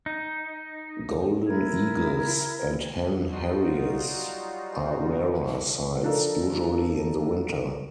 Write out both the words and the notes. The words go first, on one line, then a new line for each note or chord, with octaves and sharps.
Golden eagles and hen harriers are rarer sights, usually in the winter.
D#4
E4 A#4 G#6
F#3 G3 D#4 F4 F#4
F3 D4 D#4 A4 A#4